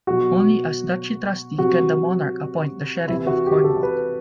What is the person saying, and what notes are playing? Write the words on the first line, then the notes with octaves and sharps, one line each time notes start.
Only as Duchy Trustee can the Monarch appoint the Sheriff of Cornwall.
B2 F#3 F#4
C3 F#3 F#4
C3 E3 E4
F#4
G4
A4
B4